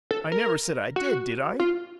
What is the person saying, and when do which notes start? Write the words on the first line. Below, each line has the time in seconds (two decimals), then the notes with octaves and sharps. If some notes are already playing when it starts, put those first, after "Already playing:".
I never said I did, did I?
0.11 A4
0.32 A#4
0.96 F#4
1.60 F4